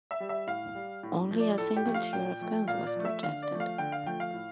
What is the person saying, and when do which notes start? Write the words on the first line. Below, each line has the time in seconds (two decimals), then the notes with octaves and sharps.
Only a single tier of guns was projected.
0.11 E5
0.20 G3
0.29 E5
0.47 A2 F5
0.75 G3
1.03 A2
1.31 F3 A3
1.40 D5
1.58 A2 A4
1.76 G4
1.86 F3 A3
1.94 F5
2.13 A#2 G5
2.41 F3 A3
2.68 A#2 F5
2.87 D5
2.96 F3 A3
3.05 E5
3.23 D3 F5
3.42 D5
3.52 F3 A3
3.60 F5
3.78 D3 G5
3.92 F5
4.06 F3 A3 G5
4.20 F5
4.34 A2